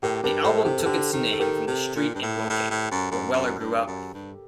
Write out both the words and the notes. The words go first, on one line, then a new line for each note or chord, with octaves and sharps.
The album took its name from the street in Woking where Weller grew up.
A2 G4 A#4
G2 G4 A#4
A2 A4 C5
C3 G4
A4
D3 G4
D#3 A4
A4
D#3 G4 A#4
C3
A#2
G2
A2
A2
A2
F#2
F#2
F#2
G2
F#2
G2